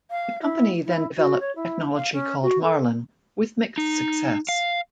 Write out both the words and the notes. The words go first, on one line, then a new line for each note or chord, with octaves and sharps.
The company then developed technology called Marlin, with mixed success.
F5
E4
E4
F#4
C#5
E4
F5
C#4
F#4
A4
D#4
F5